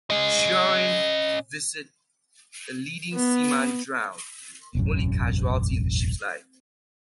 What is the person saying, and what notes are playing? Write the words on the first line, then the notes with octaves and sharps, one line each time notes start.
During the visit, a leading seaman drowned; the only casualty in the ship's life.
C#4 D#5
B3
E1 A1 F#2